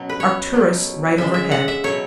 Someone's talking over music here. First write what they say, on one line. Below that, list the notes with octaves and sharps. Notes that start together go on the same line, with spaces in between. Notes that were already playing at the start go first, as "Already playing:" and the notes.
Arcturus right overhead.
Already playing: B2 F#3 C#4 F#4
B4
C#5
B2 F#3
C#3 G#3 E5
E5
F#5
E5
B2 F#3 C#5